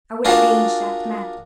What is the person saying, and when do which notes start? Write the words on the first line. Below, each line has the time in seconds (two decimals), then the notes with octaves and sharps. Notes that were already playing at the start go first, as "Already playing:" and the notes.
'I would avenge that man.'
0.25 D4 F4 F#4 G#4 A#4 D5